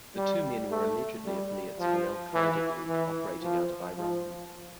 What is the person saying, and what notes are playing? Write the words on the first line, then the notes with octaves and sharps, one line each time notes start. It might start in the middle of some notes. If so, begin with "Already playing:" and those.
The two men were allegedly affiliates of an Al-Qaeda group operating out of Iran.
G3
A3
G3
F3
E3
E3
F3
F3